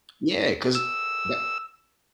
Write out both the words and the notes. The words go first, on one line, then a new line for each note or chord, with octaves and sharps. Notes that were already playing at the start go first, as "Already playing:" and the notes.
Yeah, 'cause Yep.
E6